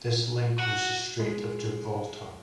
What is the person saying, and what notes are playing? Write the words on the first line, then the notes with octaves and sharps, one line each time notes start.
This link was the Strait of Gibraltar.
F#4 F#5
G#3